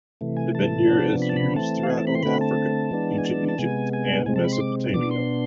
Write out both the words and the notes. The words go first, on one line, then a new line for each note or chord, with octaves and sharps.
The bendir is used throughout North Africa, Ancient Egypt, and Mesopotamia.
C3 E3 A3
G#5
A5
C3 F3 B3 D4
B5
A5
B5
E3 A3 C4 A5
F5
G#5
A5
B5
C6
D3 A3 C4 B5
A5
E3 G#3 B3 D4
G#5
A5
A5
C3 G#3 B3 G#5
G#5
C3 G#3 C4 G#5
A5
B5
C6
D6
B2 B3 D4 D6
C6